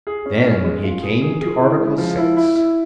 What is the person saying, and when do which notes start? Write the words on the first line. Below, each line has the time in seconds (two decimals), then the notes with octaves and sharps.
Then he came to Article Six.
0.07 G#4
0.26 C#4
0.45 C#4
0.64 G#3
0.84 F4
1.02 G#4
1.21 G#4
1.41 G#4
1.60 E4
1.79 G#3
1.98 F3
2.17 E4
2.37 E4
2.56 E4